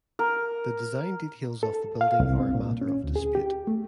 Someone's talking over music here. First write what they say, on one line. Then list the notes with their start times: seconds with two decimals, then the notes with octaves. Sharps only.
The design details of the building are a matter of dispute.
0.19 A#4
1.63 A4
2.01 F5
2.20 C2
2.40 C4
2.55 A#2
2.81 C#4
3.04 D2
3.16 G#4
3.35 G4
3.67 A3